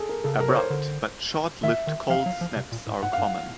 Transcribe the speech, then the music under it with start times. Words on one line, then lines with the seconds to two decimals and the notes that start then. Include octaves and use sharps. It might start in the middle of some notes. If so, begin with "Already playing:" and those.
Abrupt but short-lived cold snaps are common.
Already playing: G#4 A4
0.09 A#4
0.24 C#3 A4
0.39 C3 A#4
0.48 C#5
0.52 C#3
0.55 C5
0.70 D3
1.63 D#3 E5
1.87 D#3
2.10 F3 F5
2.26 F#3
2.41 F3
2.56 C3
2.72 A#2
2.87 A2
3.03 G#2 F#5
3.13 G2 F5
3.23 F#5